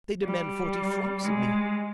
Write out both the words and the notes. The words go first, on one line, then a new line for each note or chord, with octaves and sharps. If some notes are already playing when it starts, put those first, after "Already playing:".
They demand forty francs of me.
G3
G#3